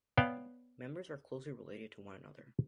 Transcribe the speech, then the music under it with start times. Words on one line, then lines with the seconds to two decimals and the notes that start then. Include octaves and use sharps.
Members are closely related to one another.
0.18 B3 C#5 D5 F5 G5 A5